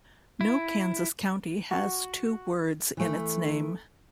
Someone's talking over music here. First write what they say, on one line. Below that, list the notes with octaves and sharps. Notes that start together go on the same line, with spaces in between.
No Kansas county has two words in its name.
E4
F#4
E3 A3